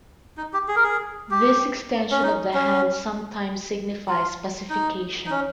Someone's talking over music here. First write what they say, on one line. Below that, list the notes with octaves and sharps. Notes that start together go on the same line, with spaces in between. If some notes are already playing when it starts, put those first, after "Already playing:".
This extension of the hand sometimes signifies pacification.
D#4
G4
G#4
A#4
G#4
G4
C#4
D#4
C#4
F4
D#4
D#4
C#4